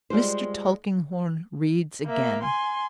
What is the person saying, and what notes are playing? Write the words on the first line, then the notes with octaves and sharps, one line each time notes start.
Mr. Tulkinghorn reads again.
G3 G#3 F4 C5
A#3 E5
G#5 C6